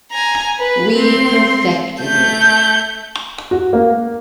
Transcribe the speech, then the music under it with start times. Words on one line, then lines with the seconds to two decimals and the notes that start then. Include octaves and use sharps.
We perfected it.
0.12 G#5 A#5
0.59 B4
0.97 C4 C6
2.01 A3 G6
3.51 F#4
3.73 A#3